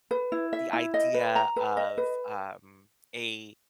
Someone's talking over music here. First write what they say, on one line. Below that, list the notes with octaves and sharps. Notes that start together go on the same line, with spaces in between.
the idea of, um, a
B4
E4
E5
E4
D#5
B4
A#5
B4
D#5
B4